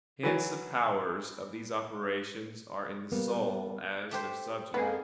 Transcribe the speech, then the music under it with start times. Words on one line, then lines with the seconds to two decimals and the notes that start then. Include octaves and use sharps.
Hence the powers of these operations are in the soul as their subject.
0.23 E3 F#3
3.12 G3 A#3 B3
4.11 A3 G4 C5
4.74 F2 G#2 A#3 B3 G#4